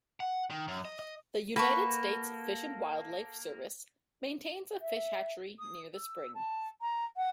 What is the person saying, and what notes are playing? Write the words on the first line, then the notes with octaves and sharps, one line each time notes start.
The United States Fish and Wildlife Service maintains a fish hatchery near the spring.
F#5
D#3
F#2
D#5
D#5
A#3 F#4 A4 B4 C#6
E5
D#6
E6
A5
A#5
F#5